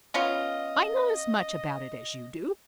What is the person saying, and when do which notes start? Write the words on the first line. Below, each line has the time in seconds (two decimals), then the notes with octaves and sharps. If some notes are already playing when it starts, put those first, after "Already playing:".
"I know as much about it as you do!"
0.14 B3 C#4 F4 D#5